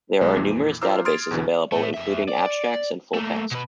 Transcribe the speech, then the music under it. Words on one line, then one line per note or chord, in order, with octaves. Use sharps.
There are numerous databases available, including abstracts and full-text.
B1 G#3
F2 A#2 E3
F4 C5 A#5 D6 E6 F6
C6 D#6 F6 G#6 A6 D7
E2 B2 D3 E3
A2 A3
F2 E5
D5
A3 A#3
B2 B4